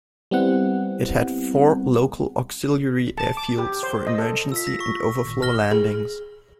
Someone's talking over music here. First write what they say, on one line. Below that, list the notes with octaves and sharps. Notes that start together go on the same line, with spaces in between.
It had four local auxiliary airfields for emergency and overflow landings.
G3 B3 C4 E4 F#5
A5
D6
G4
C5
D#5
A4
F4 E6 B6
A#6
C#6
G#1 A#2
F6 A#6 G7
G#4